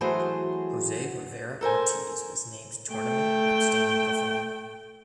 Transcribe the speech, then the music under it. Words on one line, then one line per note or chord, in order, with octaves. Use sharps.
Jose Rivera Ortiz was named Tournament Outstanding Performer.
E3 F#3 A3 F#4 G#4 C5
A4 A#4 C5 G#5
A3 G5